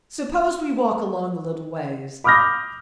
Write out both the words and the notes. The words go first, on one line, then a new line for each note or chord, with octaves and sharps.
Suppose we walk along a little ways?
B5 D6 D#6 F6 G6 A#6